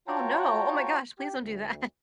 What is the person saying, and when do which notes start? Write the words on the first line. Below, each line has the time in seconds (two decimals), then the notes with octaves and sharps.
Oh, no. Oh my gosh please don't do that.
0.08 F4 F#4 C#5 G5 A5 A#5
1.19 G4
1.39 D2